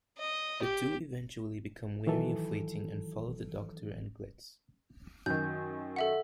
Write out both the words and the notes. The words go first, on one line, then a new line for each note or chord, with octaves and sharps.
The two eventually become weary of waiting and follow the Doctor and Glitz.
D#5
G4
D#3 E3 F#3 A4
F#2 D#3 G6
A4 E5 F#5